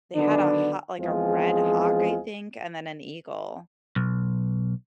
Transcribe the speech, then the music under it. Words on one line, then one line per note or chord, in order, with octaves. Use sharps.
they had a ha like, a red hawk, I think, and then an eagle,
D3 D#3 F#3 B3 D4
E2 F3 G#3 C4 F4 G#4
B1